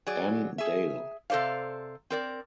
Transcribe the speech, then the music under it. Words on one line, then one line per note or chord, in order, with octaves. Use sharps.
Ann Dale.
F#3 G#4 D5
G#4 E5
C3 A4 C5 D5 F5
C4 A#4 D5